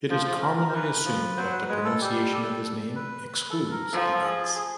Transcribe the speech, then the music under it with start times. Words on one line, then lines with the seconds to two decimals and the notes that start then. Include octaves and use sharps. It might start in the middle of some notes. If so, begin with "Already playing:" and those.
It is commonly assumed that the pronunciation of his name excludes the 'x'.
0.10 F3 C5
0.41 A#4
0.57 A#4
0.69 C5
0.74 E3 B4
1.06 F3
1.37 F#3 C5
1.53 B4
1.69 G#3 B4
1.85 A4
2.00 G3 G4
2.32 A4
2.96 B4
3.27 B4
3.50 A4
3.70 A#4
3.92 F3 A4
4.16 A4
4.23 G#4
4.55 G#4